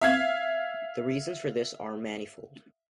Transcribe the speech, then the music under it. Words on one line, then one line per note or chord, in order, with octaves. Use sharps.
The reasons for this are manifold.
E5 F5 G#6